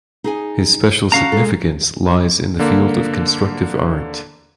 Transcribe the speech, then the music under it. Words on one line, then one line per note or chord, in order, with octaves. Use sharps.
His special significance lies in the field of constructive art.
D#4 G#4 G#5
D3 C#4 F#4 F5 A#5
G#3 A4
D3 A#3